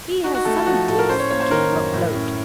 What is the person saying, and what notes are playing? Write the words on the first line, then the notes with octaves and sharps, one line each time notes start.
He has some deep scheme afloat.
D#4 F#4
F#4
A3 A4
A4
F3 F#4
A2 A4
A#4
C#4 C5
C#5
A#3 C#5
C5
D#3 A#4
F#2
A2
C#4